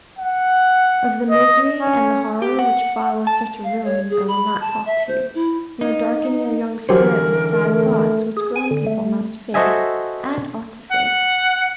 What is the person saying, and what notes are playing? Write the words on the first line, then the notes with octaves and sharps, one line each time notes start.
Of the misery and the horror which follow such a ruin I will not talk to you, nor darken your young spirit with sad thoughts which grown people must face, and ought to face.
F#5
D#5
C#4
G4
F#5
A5
F5
C#5
G#4
B5
A5
E5
C5
E4
D#4
D3 E3 F#3 G4 G#4 A#4 C5
A3
G#4
G#5
D3
A3
F#4 A4 C5 D#5 E5 G#5
F#5